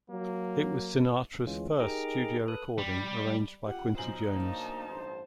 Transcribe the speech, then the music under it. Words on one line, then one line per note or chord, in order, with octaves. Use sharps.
It was Sinatra's first studio recording arranged by Quincy Jones.
F#3 A#3
D2 E3 G#3 C#4 F4
D#4 G4 G#4 A#4 A#5 D6
A4 B4 D#6 F#6
G3
F4 G4 F#5
B1 D#4 C5 G#5 F#7
A#3 D4 C5 A5
A1 G2 C5